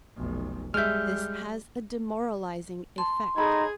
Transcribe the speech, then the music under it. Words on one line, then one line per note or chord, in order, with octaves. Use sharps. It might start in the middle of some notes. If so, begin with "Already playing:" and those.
This has a demoralizing effect.
F1 B1
G3 G#3 E5 F6 G6
A5 C6
D#4 G#4 A4 C#5 B5 G#6